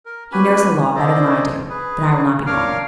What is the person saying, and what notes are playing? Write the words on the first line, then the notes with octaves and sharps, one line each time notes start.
"He knows the law better than I do; but I will not be long."
A#4
C#4 F#4 G4 B4 G#5 B5
G#4 A4 C5 D5 D#5
G#4 B4
D4 A#4 C#5 F5 D6 F6